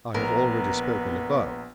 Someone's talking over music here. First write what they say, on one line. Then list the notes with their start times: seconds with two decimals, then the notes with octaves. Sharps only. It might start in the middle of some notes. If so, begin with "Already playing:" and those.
I have already spoken above.
0.14 A#1 B3 A#4 A#5